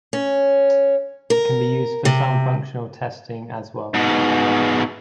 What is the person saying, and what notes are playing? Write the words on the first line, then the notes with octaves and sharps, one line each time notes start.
It can be used for some functional testing as well.
C#4
A#4
C3
G#2 B2